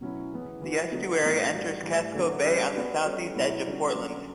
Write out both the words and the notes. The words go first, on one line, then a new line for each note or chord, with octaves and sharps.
The estuary enters Casco Bay on the southeast edge of Portland.
B2 F#3 C#4 E4
C#3 E3 B3
E3 B3 F#4
D3 F#3 B3 F#4
A2 E3 G3 B3
G3 D4 F#4
A2 E3 G3
D3 F#3 B3
C#3 G3 C#4 G4 B4
B3 F#4 B4 D5
G3 C#4 F#4 A4 C#5
B2 F#3 B3 E4
D3 G3 C#4 F#4
D3 F#3 C#4